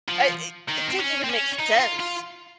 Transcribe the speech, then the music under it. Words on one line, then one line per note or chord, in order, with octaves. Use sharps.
I it it didn't even make sense.
F3
D#3
C4
C#4
C4
C#4
D#4
F4
F4